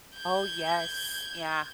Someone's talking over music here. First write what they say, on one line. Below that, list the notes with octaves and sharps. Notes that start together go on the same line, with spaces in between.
Oh, yes, yeah.
G6 G#6